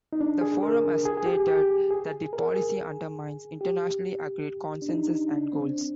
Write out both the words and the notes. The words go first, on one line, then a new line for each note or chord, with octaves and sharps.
The forum has stated that the policy "undermines internationally agreed consensus and goals".
D#4
D4
G#4
A#4
G#4
G#4
G4
G4
G#4
A#4
G#4
G4
D4
D#4
D4
C4